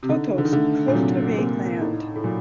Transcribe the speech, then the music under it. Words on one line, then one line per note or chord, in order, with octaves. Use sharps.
Totos cultivate land.
C3
D3 D#4
D3
D#3
D3 A3
A#2
C3 F#3
C3 A#3
A2 D#4
A2
A#2 F#3